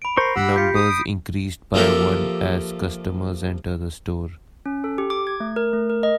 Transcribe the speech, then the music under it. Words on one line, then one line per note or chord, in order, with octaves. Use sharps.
Numbers increase by one as customers enter the store.
B5 D7
A#4 C5 C#6 A#6 C7
G4 F#5 B5 E6
F4 G6 B6 C#7
D#6
D7
F3 A#3 G4 A4 A#4 E5
C#4
A4
G4
D6
G#6
A3
A#4
A3
A#4
D#5